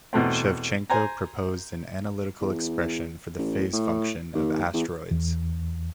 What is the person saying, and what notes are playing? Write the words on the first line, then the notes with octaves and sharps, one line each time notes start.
Shevchenko proposed an analytical expression for the phase function of asteroids.
E2 B2 A3 C4
C5 G#5 A#5
E2
A1
A2
D#2
E2
E2